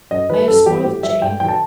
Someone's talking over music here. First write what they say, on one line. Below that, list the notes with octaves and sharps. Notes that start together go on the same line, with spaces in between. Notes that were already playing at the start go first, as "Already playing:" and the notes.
I have spoiled Jane.
F#2 D#5
D#3 G3 B4
F#2 A4
E3 G3 G4
A2 G4
G3 E5
G2 G5
D#3 F#3 G5
A5